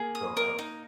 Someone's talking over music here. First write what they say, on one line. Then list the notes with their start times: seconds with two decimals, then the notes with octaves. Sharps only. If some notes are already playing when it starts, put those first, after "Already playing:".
go out.
Already playing: A#3 G#4
0.15 D#6
0.37 A#4
0.59 D#4